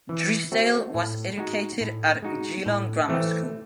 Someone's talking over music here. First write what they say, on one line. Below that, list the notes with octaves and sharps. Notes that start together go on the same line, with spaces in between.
Drysdale was educated at Geelong Grammar School.
E3
A3 C4 F#4
A2
G#3 D#4 F#4
A2
G#3 D#4 F#4
A2
E3 A3 C4